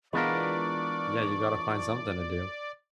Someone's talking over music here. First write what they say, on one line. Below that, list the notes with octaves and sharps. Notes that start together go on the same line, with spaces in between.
Yeah, you gotta find something to do.
E3 G#3 B3 D4 F4 A#4 D5 C#6